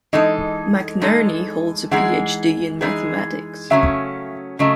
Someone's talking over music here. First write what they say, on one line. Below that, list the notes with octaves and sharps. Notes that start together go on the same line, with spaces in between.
McNerney holds a Ph.D in mathematics.
E3 G#3 D#4 A4 D#5
E3 G#3 D#4 A4
E3 G#3 D#4 G#4 F#5
E3 G#3 D#4 G#4
C#3 F#3 A3 C#4 E5
C#3 F#3 A3 D#5